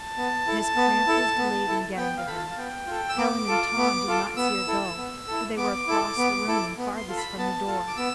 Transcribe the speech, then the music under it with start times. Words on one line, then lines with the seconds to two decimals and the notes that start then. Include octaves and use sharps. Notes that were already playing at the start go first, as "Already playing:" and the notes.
Miss Cramp was delayed in getting to her; Helen and Tom did not see her go, for they were across the room and farthest from the door.
Already playing: A5
0.17 B3
0.47 E4 A4
0.76 B3
1.07 E4 A4
1.38 B3
1.67 E4 A4
1.97 B3 G5
2.18 F5
2.27 F4 A4 B5
2.37 A5
2.51 F5
2.58 B3 G5
2.87 F4 A4
3.09 E6
3.17 B3 D6
3.48 F4 A4
3.77 B3
4.08 F4 A4
4.37 B3 E6
4.68 E4 A4
4.98 B3
5.27 E4 A4
5.57 B3 D6
5.87 E4 A4
6.18 B3
6.48 E4 A4
6.78 B3
6.97 C6
7.08 F4 A4
7.17 B5
7.38 B3 A5
7.67 F4 A4
7.88 D6
7.97 B3 E6